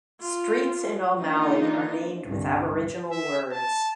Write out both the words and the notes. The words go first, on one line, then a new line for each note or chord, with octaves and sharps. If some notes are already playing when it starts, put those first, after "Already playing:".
Streets in O'Malley are named with Aboriginal words.
F4
E3 A#3 D4 D#4 F4
G1 C2 G2
E5
A5